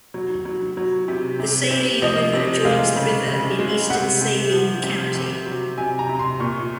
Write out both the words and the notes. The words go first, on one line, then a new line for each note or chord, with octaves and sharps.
The Saline River joins the river in eastern Saline County.
F#3
F#3
F#3
C3
C3
C3
F3 D#5
C3
G#3 F5
C#3
C#3
G#3
C3 F#5
C3
F3
C3
C3
F#3
C3 G#5
A#5
C3
C6
A#2 C#6